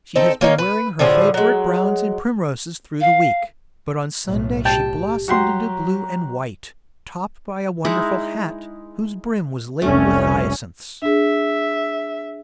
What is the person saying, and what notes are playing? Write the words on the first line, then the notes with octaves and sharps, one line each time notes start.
She has been wearing her favourite browns and primroses through the week, but on Sunday she blossomed into blue and white, topped by a wonderful hat, whose brim was laden with hyacinths.
C4 D#4 A4
A#3 C#4 D#4
B4
A2 D3 F3 G#4
F#3 G#3
F5
B1 A2
G4 G5 A5
F#3 F#4 G4 A#5 C6
G#3 D#4 E4
F1 C2 A3 C#4
D4 G#4 E5